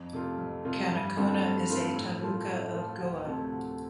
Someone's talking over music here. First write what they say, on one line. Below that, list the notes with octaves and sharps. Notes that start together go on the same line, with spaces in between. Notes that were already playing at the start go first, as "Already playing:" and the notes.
Canacona is a taluka of Goa.
Already playing: F2
C3 A3 F4
F2
C3 A3 F4
G2
D3 A3 C4 F4
G2
D3 A3 C4 F4
A2
F3 A3 F4
A2
F3 A3 F4
D2
C3 F3 A3 C4
D2